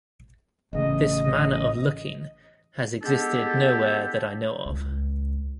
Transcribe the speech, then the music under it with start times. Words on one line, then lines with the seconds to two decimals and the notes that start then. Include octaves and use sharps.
This manner of looking has existed no where that I know of.
0.73 A1 C#3 D#5
3.03 G#3 B3 D4 E4 G4 A4
4.66 C#2